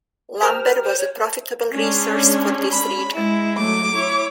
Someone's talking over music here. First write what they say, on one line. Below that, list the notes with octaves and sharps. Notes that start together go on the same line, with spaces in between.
Lumber was a profitable resource for this region.
G4 A#4 C5 F6
C5
C#5
G#3 C#4 D4
B5
G#3 E4
F#3 A3 D6
E4 C#5